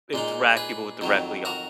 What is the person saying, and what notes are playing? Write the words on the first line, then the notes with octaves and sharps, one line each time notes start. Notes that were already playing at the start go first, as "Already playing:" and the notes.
interact people with directly on
A#2 G#3 D#4
G#4 B4
F2 D#3 F#3
F#4 A#4